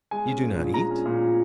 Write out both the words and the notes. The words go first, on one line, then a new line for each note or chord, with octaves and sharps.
You do not eat?
G#3 G#5
C#4
A#2
A#1
G#3 A#5
C#4
A#2